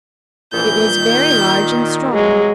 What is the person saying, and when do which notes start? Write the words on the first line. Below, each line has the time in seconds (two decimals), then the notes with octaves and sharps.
It was very large and strong.
0.53 A#1 A#2 E3 G6
0.97 D#3
2.13 E2 C3 F#3 G#3